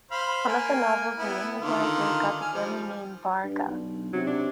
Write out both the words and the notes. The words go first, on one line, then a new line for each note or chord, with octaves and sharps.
One of the novel's main characters got the family name "Barga".
C5 F5 B5
A#3 G#5
B3 E4
D3 D#3 F4
G#5 F6
F3 G3
G2
B1
C3 F#3
D4